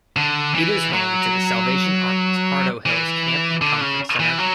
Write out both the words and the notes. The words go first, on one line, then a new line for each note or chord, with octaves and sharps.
It is home to The Salvation Army's Heart o' Hills camp and conference center.
D3
E3
F#3
E3
D3
C#3
E3
F#3